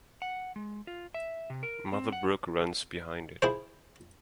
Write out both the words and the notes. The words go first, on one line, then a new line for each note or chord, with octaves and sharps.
Mother Brook runs behind it.
F#5
G#3
F4
E5
C3
A#4
C4
F#5
E4 G#4 C5